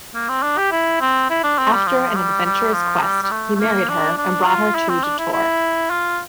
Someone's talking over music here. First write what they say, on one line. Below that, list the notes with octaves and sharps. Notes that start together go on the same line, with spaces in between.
After an adventurous quest, he married her and brought her to Chittor.
A#3
C4
D4
G4
E4
C4
E4
D4
C4
G3
F3
G3
G3
F3
G3
G3
A3
A3
A#3
D4
D4
F4
E4
C4
D4
E4
E4
F4